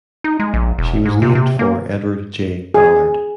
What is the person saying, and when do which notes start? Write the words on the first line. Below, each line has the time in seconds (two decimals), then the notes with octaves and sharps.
She was named for Edward J. Ballard.
0.24 D#4
0.40 G#3
0.54 A#1
0.79 E1
1.05 G#2
1.22 C3
1.35 C3
1.59 A#3
2.74 G#4